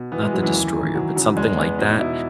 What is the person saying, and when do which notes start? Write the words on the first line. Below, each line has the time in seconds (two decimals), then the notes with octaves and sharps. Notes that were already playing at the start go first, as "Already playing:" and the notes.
not the destroyer but something like that.
Already playing: B2
0.12 E3 B3
0.23 G#3
0.32 F#2 F#3
0.43 E3
0.53 D#2
0.74 D#3
0.95 E3 F#3
1.15 C#3 F#3
1.37 E2 G#3
1.57 E2 B3
1.79 B2 D#4
1.99 B2 E4